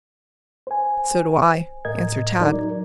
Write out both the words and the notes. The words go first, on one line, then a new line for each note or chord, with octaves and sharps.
"So do I," answered Tad.
C5 G#5
A2 A#4 D#5 G#6
F#3 D#4 A#4 D5